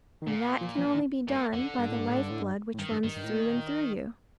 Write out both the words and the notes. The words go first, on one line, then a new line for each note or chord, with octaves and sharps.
And that can only be done by the life-blood which runs through and through you.
D#3
A#2 D3
F3
F3
D#3
G2 A#2
F2 D3
G2
A2
G2
A2
G2
A2
G2
A2
G2 D#3
G2
G2 D#3
G2
A2
A#2